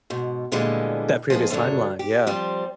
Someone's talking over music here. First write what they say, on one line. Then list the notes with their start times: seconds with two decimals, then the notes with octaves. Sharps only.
that previous timeline, yeah.
0.10 G#2 B2
0.52 A#2 D3 E3 G3 G#3 B3
1.30 F3 G#3 A#3 B3 G#4
1.50 F#2 A2 D3 F#3 D4
1.99 G4
2.27 F3 G3 C4